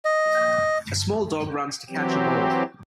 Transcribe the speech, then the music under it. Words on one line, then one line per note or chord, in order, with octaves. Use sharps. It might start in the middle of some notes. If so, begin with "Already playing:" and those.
A small dog runs to catch a ball.
D#5
E3 F#3 C4 G4